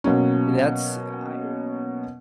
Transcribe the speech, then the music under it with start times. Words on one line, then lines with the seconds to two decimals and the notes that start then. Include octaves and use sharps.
that's I
0.04 B2 F#3 A#3 C#4